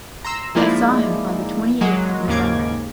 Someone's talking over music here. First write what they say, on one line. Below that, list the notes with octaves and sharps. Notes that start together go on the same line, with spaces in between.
I saw him on the twenty eighth of November.
A#5 C6 E6
F3 G#3 A#3 D#4 E4 D5
F#3 G#3 A#3
D#2 G#2 C#3 A#3 D6 G#6